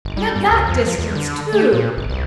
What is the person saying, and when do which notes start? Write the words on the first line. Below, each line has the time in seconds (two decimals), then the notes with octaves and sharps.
And at that distance, too!
0.05 G1
0.17 G3
0.36 G2
0.51 C#2
0.66 F2
0.86 F3
0.98 E2
1.15 D3
1.53 A3
1.73 A#2
1.97 G1
2.10 C2